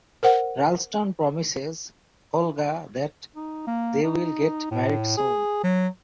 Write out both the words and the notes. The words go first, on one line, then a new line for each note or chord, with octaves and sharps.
Ralston promises Olga that they will get married soon.
A#4 C5 F#5
D#4
A#3
D#4
A2
G#4
F#3